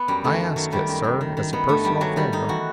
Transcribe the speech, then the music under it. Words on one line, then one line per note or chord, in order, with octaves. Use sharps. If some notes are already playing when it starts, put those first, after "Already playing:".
I ask it, sir, as a personal favor.'
Already playing: B3
F#2 G3
D#3 A3
D#3
D#3 F#3
D#3 G3
F#2
D#3
D#3
D#3
D#3 B3
G2 A3
D#3 G3
D#3 F#3
D#3 G3
D#3 D#4
E3 F#4